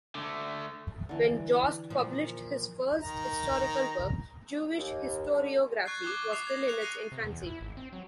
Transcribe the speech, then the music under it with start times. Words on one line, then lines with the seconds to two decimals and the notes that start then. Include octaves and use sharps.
When Jost published his first historical work, Jewish historiography was still in its infancy.
0.15 D3 A3
1.09 D3 E3
1.90 A#2 F3
3.02 D#3 A#5
4.78 D#2
5.31 D3
5.85 C#6 F#6 G#6 A6 C7
6.04 D6 D#6 F#6 G7
6.32 D6 D#6 C7 F7
6.47 G#6 A#6
6.68 F#6 F7
6.81 F#6 A#6 C7 C#7 D#7
7.12 C3
7.24 E2
7.47 E4
7.61 G#1
7.77 C4
7.93 F#3